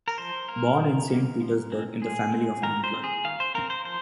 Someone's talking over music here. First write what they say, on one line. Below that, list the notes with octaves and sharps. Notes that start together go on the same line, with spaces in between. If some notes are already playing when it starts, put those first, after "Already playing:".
Born in Saint Petersburg in the family of an employee.
A#4
F3 C5
A#3 A#4
F3
A#3
F3
G#3 C4
F3 G#4
G#3 C4
D#3 A#4
C5
C4
G#4
D#3 F5
C5
C4 A#4
C5
F3 C5